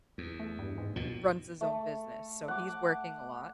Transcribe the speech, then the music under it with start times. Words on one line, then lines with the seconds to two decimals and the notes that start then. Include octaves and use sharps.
r runs his own business, so he's working a lot.
0.18 E2
0.40 A3
0.59 G2
0.78 G#2
0.96 D#2 B2 F3
1.61 A3
2.48 F#5 D6